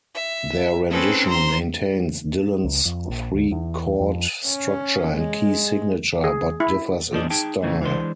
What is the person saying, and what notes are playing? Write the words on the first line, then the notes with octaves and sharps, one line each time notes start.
Their rendition maintains Dylan's three chord structure and key signature but differs in style.
E5
C4 C#4 G#4 A4 B4
C5 A#5 C6
C#2
F2
A#1
D2
E2
F2
C#4
G#3
G#4
E4
E2 A#2 F3 D4 D#5
D#4 G#4 G5 A5
A#2 C#3 E3 A3 A#3
E3 G#3 D4 C5